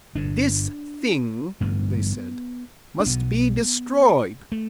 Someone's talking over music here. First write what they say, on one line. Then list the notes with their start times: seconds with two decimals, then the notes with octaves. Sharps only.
"This thing," they said, "must be destroyed."
0.15 G1 G2 D3 D4
1.60 A1 G2 D3 B3
3.00 D4
3.06 B1 B2 B3
4.52 A3